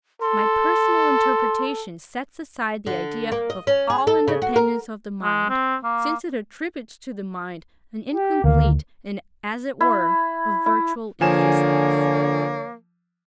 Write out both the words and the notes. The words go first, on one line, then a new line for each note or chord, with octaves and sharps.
My personal interpretation sets aside the idea of all independence of the mind, since it attributes to the mind an incomplete and, as it were, a virtual existence.
A4 C6
D3
A#3
D#5
C#4
G#4
A4
C#3
F#4
A#4
G#3
C4
A#3
G4
D2 D#3 A#3
E4
E4
D3 F3 A#3 C#5 G#5 E7